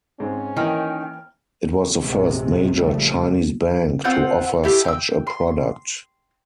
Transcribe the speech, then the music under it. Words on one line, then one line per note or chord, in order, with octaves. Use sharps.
It was the first major Chinese bank to offer such a product.
G#2 C4 C#4
D#3 E3 A#3 G5 F6
A#1 F#2 C3 D#3 G#3
A#1 C#3 F3 G3 A3
C4 F4 F#5 G6
E4 G4 A4
G5 E6
C6